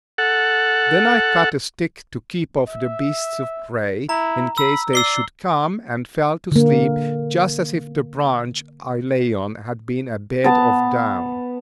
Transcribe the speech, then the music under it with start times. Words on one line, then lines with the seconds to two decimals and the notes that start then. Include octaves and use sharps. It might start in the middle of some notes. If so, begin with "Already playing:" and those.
Then I cut a stick to keep off the beasts of prey, in case they should come, and fell to sleep just as if the branch I lay on had been a bed of down.
0.18 A4 F#5
2.68 E5
4.09 E4 A#5
4.58 B5 E6
4.93 D5 E6 C7 G7
6.52 D3 A#3
10.44 B3 A5